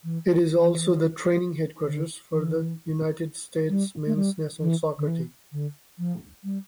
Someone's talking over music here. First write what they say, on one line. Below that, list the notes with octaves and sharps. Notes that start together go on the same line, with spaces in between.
It is also the training headquarters for the United States men's national soccer team.
E3
E3
D3
E3
G3
A3
G3
E3
D3
E3
D3
F3
G3